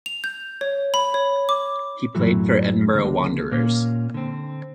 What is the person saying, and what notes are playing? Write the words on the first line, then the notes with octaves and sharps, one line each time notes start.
He played for Edinburgh Wanderers.
F7
G6
C#5
B5
C#5
D6
F#2 A2 E3 F#3 A3
C#2 D3 A#3
A#2 A#3 C#4
D3 C4